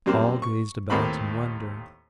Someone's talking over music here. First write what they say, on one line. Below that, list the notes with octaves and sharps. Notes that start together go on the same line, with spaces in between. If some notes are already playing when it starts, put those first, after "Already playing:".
All gazed about in wonder.
F#2 G3 A#3 C4
C#6
D#2 A2 A#3 C4 B5